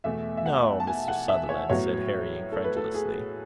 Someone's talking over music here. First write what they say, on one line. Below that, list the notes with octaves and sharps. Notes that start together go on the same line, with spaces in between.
"No, Mr. Sutherland!" said Harry, incredulously.
E2 B2 A3 E5
E5
F#5
A5
G#5
F#5
E5
C#5
A2 F#3 B3 C#5
A4
B4
A4
G#4